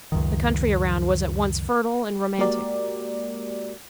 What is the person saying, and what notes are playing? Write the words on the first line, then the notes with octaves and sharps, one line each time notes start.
The country around was at once fertile and romantic.
C#2 F#2 D#3
G#3 A#3 F#4 G4 A#4 D5